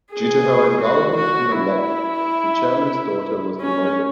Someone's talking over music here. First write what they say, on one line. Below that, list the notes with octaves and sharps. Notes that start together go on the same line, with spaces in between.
Due to her involvement in the loss, the chairman's daughter was demoted.
G#4
F#4
F#4
E4
C#4